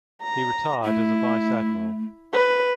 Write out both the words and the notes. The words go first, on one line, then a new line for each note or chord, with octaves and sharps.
He retired as a Vice-Admiral.
A#5
A3 E4
B4